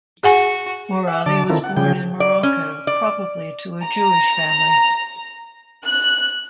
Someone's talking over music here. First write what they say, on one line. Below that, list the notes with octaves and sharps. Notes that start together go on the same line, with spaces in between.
Morali was born in Morocco, probably to a Jewish family.
F#4 G#4 F#5 G#5
E5 F#5
D3 D5 A5 D6
D#3 C4 E4 F4 A4 A#4
F#5
C#3 F3 G#4 G5
D5
C#4
D5
A#5
F#6